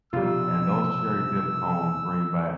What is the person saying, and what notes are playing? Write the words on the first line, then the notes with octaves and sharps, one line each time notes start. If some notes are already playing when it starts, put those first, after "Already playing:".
And those cherry-dip cones bring back
F1 B2 G3 F4 E6